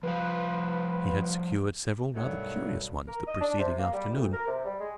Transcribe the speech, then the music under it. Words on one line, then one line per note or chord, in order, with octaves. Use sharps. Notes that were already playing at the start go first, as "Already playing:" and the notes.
He had secured several rather curious ones the preceding afternoon.
F3 G3 B4 F5
B1 G2 D#3 F#3 A3
A#4
D#5
D4
C3
A#3
G3
D2
A#4
C3
G3
G#3